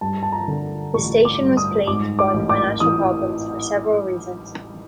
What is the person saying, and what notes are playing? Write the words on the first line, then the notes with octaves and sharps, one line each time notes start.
The station was plagued by financial problems for several reasons.
G2 A5
A5
A#5
D3
A1 C#6
D6
G2
D#6
G#2 D6
D6
A1
D6
E3 D#6